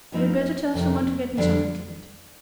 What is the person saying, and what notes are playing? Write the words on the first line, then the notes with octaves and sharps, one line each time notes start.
You had better tell some one to get me something to eat.
G2 F3 C4 D#4
F2 C3 D#3
F2 D3 G3 D4